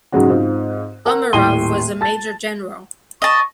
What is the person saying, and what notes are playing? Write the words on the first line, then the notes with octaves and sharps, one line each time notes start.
Omarov was a major general.
G#2 C#3 F#3 G#3 C#4 F#4
G#2 C4 F4
A#4 F#5
D#1 A2 G5 C6 D#7 G7
A5 A6
D#5 A5 C#6